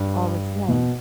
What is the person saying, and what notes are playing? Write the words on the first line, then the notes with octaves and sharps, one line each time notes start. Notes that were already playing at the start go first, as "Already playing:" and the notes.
All the time.
Already playing: G2
B2